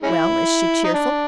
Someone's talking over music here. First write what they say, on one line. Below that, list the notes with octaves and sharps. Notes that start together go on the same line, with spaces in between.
"Well, is she cheerful?"
G#3 C#4 E4
D#4
D4